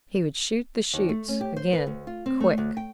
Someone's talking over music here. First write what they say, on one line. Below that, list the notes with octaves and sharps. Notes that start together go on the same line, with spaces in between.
He would shoot the chutes, again--quick.
D#2
A3
C#4
G4
C5
B4
D2
F4
C4
A3
D2
G5